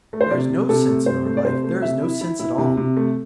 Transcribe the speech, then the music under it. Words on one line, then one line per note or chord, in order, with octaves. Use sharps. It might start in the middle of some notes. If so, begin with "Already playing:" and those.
There is no sense in our life--there is no sense at all.
A3
C5
C3 D5
C3
C3 A4
A3
C3 C5
A3
D5
C3 C5
A3
C3 E5
E4
E4
E4
C3
C3
A3